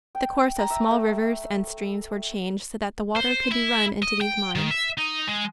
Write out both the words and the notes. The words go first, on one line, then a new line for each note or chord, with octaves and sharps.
The course of small rivers and streams were changed so that the water could be run into these mines.
G5
A#5
E5
A3
C5
E4
D#5
G5
D#3
E5
D#4
G#3